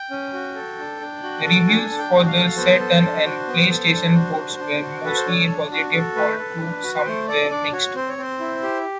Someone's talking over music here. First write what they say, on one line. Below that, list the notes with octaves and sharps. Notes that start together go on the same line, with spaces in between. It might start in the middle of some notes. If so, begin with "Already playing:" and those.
Reviews for the Saturn and PlayStation ports were mostly positive although some were mixed.
Already playing: G5
C#4
F#4
A4
D4
D4
F#4
A4
D4 G#5
D4
G5
F#4
F5
A4
B3 C5
A4
D4
F#4
B3
A4
D4
F#4
D4
D4
F#4
A4 B4
C5
D4 C#5
D4
F#4
A4
A3 B4
A4
D4
F#4
B4
A3 C5
A4 D5
D4 D5
F#4 C#5
C4 C5
C#5
C4 C5
E4
G4